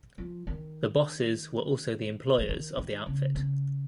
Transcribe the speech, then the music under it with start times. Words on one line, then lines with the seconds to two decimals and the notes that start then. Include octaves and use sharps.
The bosses were also the employers of the outfit.
0.18 F3
0.47 D#3
2.39 F3
2.49 D#3
2.77 D#3
3.06 C#3
3.35 C#3